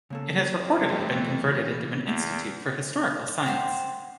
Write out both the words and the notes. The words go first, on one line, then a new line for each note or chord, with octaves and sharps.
It has reportedly been converted into an institute for historical science.
C#3 A#3 A4
F2 C5
E3 A3 G5
E2
C5 F#5 G5